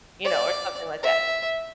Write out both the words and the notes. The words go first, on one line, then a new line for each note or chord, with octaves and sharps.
you know, or something like that.
D5
E5